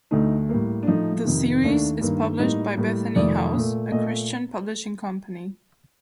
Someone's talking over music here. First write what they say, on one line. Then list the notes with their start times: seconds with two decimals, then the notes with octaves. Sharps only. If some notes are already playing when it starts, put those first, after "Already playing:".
The series is published by Bethany House, a Christian publishing company.
0.11 D2 D3 A3 D#4
0.49 A2 G3 A#3
0.83 D4
0.87 A2 F3 A3 D#4
1.25 F2 C3 D#3
1.64 D#2 D#3 A3 D4
2.01 G2 D#3 A#3
2.39 A2 G3 A#3 D#4
2.77 A2 G3 A#3
3.16 F2 C3 D#3 A3 D5
3.53 A#2 A3
3.92 A#2 A3 D#5